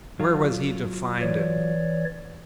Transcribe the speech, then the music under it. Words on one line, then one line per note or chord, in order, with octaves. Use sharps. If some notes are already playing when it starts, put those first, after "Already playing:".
Where was he to find it?
F#3 F4
E3 C#5 D5